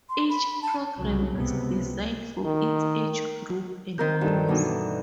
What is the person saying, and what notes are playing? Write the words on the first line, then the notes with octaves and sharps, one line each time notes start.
Each program is designed for its age group and goals.
C6
B5
A5
C2 C#3 F#3
C#2 C3 B3
D#3
D#3 C4 A#4 G6
G2 A4
B2 E3 D4 D#4